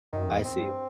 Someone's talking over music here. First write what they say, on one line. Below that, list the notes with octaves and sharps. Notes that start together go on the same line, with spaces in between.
I see.
F#2 D#3
E2
C4
G2